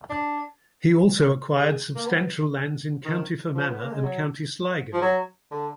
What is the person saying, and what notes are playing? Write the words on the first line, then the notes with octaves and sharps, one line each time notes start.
He also acquired substantial lands in County Fermanagh and County Sligo.
D4
G#4
A#3
B3
D#3
F3
B3
A#3
G#3
F#3
F3
F#3
D3